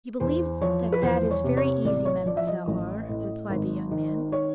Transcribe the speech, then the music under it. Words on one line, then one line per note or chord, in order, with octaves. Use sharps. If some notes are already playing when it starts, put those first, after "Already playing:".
"You believe that that is very easy, Mademoiselle Aure," replied the young man.
E2 C5
F3 C#5
B4
E2 C5
C#5
C3
C#5
A1 D5
C#5
F3 D5
E5
D#5
A1
A2
G#1
D#3
C#5